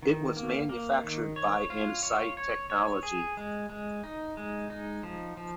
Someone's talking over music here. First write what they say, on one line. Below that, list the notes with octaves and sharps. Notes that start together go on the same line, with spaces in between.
It was manufactured by Insight Technology.
D#3
A#3
A#3
D#3
C#5
F4
C#5
C#5
C#5
G#4
G#3
G#3
D#4
G#3
D#4
F3
F3